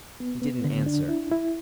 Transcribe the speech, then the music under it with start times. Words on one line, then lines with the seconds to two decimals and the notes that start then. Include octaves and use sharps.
He didn't answer.
0.20 B3
0.42 B3
0.64 D3
0.86 D4
1.09 E4
1.31 E4